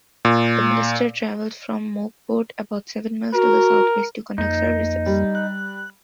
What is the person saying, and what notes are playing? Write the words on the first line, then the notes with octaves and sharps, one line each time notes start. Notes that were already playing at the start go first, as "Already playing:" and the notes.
The minister traveled from Mauckport, about seven miles to the southwest, to conduct services.
A#2
F#4 A#4
F2 A#3 D#4
G3
F#6